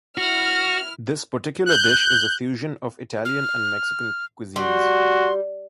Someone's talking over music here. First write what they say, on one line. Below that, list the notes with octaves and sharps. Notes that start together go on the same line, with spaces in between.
This particular dish is a fusion of Italian and Mexican cuisines.
E4 F#4 F6
F#6 G6
F6
G3 F#4 C6